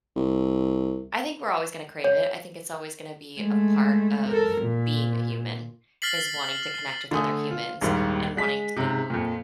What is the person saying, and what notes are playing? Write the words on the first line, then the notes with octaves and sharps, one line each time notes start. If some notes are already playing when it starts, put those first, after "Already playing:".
I think we're always gonna crave it, I think it's always gonna be a part of being a human, is wanting to connect with other humans and wanting to
C2
C#5
G#3 A3
A4 A#4
A#2
F6 A6 B6 C7 F#7
D3 A3 G#5 D#6
F4
A#1 D#2 G#2 G3
G#3 B6
G#2 C3
F2 A#2